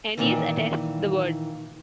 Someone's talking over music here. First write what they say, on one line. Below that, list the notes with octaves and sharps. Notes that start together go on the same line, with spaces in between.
Ennius attests the word.
A#2 D#3 E3